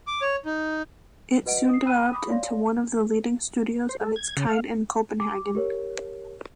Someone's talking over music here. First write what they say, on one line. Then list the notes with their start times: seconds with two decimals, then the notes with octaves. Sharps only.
It soon developed into one of the leading studios of its kind in Copenhagen.
0.07 D6
0.21 C#5
0.45 D#4
1.46 F#4 B4 D#5 F#5 D7
1.69 D#6 C7
1.86 G5 B5 E6 F#6 D#7
2.13 B5 D6 D#6
2.28 C#5 D5 F5 C6 A#6
3.89 C5
4.01 A4
4.16 G#6
4.37 C#3
4.49 F5
5.20 D6
5.55 G4 A#4 C#5